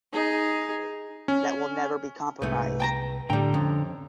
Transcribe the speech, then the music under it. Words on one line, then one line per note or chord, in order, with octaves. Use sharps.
That will never be compromised.
D#4 G#4
C#4
C2 G#2 G#3 A3 B4
G5 A5 A#5
A2 D3 G3 G5 A#5
F2 C#4